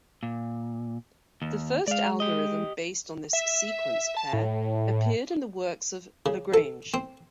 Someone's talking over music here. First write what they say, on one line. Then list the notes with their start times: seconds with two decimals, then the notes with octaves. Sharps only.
The first algorithm based on this sequence pair appeared in the works of Lagrange.
0.23 A#2
1.42 D#2
1.88 G#3 D5 F5
2.20 G4 D#5
3.33 E5
4.17 A5
4.33 A2
6.26 C#3
6.54 A4
6.94 C4